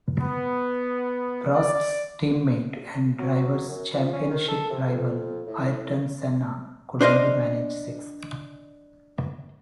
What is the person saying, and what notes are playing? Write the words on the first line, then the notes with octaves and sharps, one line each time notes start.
Prost's teammate and Drivers' Championship rival, Ayrton Senna, could only manage sixth.
B3
D5
F#3
F#2
F3
C#4
D#3
A4
C3
F2
A2
D4 C5 D#5 F5